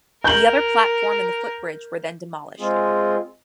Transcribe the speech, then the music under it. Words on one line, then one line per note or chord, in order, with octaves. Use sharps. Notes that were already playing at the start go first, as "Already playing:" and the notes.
The other platform and the footbridge were then demolished.
A#4 G6 F#7
G#3 C4 F4 G#4